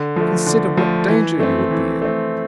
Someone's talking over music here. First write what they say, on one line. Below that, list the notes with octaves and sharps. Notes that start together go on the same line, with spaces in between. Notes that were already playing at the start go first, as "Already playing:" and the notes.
Consider what danger you would be in!
Already playing: D3
F3 A3
D3
F3 A3
E3
A3 C4
E3
A3 C4